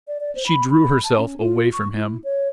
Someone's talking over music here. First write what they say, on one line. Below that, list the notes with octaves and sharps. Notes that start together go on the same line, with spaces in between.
She drew herself away from him.
D5
D5
C5
B5
B5
A5
C#4
F4
C#6
E4
C#5